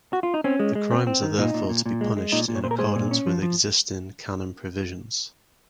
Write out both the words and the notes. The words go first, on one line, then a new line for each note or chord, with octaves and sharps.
The crimes are therefore to be punished in accordance with existing canon provisions.
F#4
F4
D#4
C4 C#4
G#3
G#3
C4
C4
D#3
A#2 D#4
A#2
A#2
A#2
G#3
G#3
A#2 D#4
A#2
C#5
A#2 C5
A#4
G#3 G#4 C5
A#2
C#4
F3
F3